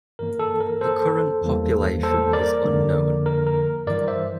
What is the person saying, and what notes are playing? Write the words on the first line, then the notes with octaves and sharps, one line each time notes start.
The current population is unknown.
G2 E3 A#3 A#4
A4
A#4
A4 C5
E2 E3 G3 A#3
A4 C5
A#4 D5
F2 D3 F3 A#3
A#4
A#4
G2 E3 G3 A#4 D5
C5 E5